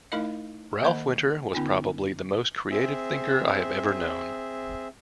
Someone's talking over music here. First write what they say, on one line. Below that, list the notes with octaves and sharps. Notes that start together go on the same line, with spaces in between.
Ralph Winter was probably the most creative thinker I have ever known.
A3 D#4 E4 A#4 D#5 F5
D#3 A#3 C5 D#5 F#5 B5
D3 B3 C#4 D#4 F4 G#5
C4 G#4 E5